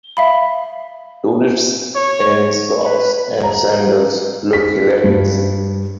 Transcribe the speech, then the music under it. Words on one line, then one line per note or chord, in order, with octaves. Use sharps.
Tourists in socks and sandals look hilarious.
E5 F5 B5
C#5
B4
A#5
B6
G2